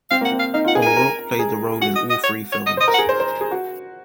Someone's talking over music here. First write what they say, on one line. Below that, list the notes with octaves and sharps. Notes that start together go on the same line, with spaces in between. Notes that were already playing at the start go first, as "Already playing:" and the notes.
O'Rourke played the role in all three films.
C4 F5
A#3 F#5
C4
F5
D#4 F5
F4 F#5
G#4
A#4 G#5
A#4
G#4
F#4 F#5
D#5
D#5
C#5
C#5
D#5
C5 D#5
A#4
F#5
G#4
C5
C5
G#4
F#4